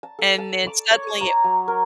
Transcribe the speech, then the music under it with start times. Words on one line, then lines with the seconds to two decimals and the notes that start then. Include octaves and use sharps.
And then suddenly it
0.03 A5
0.19 A4
0.38 A5
0.67 D6
0.91 C#5
1.21 A#5
1.44 F#3
1.68 A#4